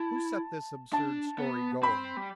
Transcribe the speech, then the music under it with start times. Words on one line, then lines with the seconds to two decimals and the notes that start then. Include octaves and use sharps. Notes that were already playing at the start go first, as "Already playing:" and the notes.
"Who set this absurd story going?"
Already playing: E4 A5
0.93 D4 A5
1.38 B3
1.83 C4 B5
2.17 G3